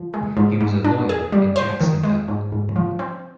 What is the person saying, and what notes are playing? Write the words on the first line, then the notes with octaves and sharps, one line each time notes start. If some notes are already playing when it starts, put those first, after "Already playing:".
He was a lawyer in Jacksonville.
Already playing: F3
G#3
G#2
G#2
D4
G#4
G3
C5
D#3
G#3
G#2
G#2
F3
C4